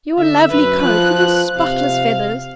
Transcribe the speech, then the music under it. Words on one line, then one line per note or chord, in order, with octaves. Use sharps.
Your lovely coat, your spotless feathers!
D3 E5
F#2 B4
F3 F#6
C3 F5